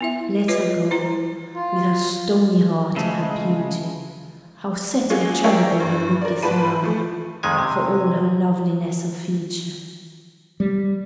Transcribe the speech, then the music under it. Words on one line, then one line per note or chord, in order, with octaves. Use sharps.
Let her go,--with her stony heart, and her beauty;--how set and terrible her look is now, for all her loveliness of feature!
B3 E4 E5
F4 B4 C#5 D#5
E4 C5 A#5
F4
C#3 G#3 A3 C5 E5
F#3 G#3 A#3 C#4 F4 G#4
A#4 C#5 D5 E5 F5 G5
G2
A#4 D5
G#2 F3 B4 A5 B5 D#7
F3 A3
F2 D#3 G#3 G#5
C3
G3